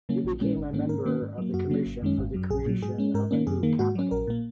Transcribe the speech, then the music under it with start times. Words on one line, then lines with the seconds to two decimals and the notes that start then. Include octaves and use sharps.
He became a member of the commission for the creation of a new capital.
0.09 C#3 F#3 A#3 C#4
0.25 A#1
0.41 A#2 G#3 C#4
0.57 G#1
0.73 G#2 D#3 A#3 C#4
0.89 G#2 A#4
1.06 D#3 A#3 C#4
1.22 G#2
1.38 F#3 A#3
1.54 F#2 F#4
1.70 C#3 F#3 A#3 C#4
1.86 G#1
2.02 F#2 D#3 G#3 C#4
2.18 G#1
2.34 F#2 F#3
2.50 A#1 G#4
2.66 A#2 F#3
2.82 G#2 G#4
2.98 G#3 C#4
3.14 G#2 A#4
3.31 D#3 A#3 C#4
3.47 F#2 G#4
3.63 D#3 A#3
3.79 G#2 F#4
3.95 F#3 C#4
4.11 A#1 A#4
4.27 A#2 A#3